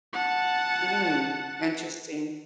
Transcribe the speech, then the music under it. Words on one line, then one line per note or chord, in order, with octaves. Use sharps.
Mm, interesting.
F#5 A5